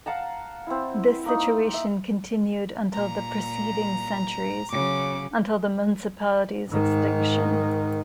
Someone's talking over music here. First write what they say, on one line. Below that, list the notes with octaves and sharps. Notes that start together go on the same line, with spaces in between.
This situation continued until the preceding centuries, until the municipality's extinction.
F5 F#5 A5 A#5
C4 E4
A#3 D#4
E5
A#2 A#5
C#3 F#3 D6
G#2 D#3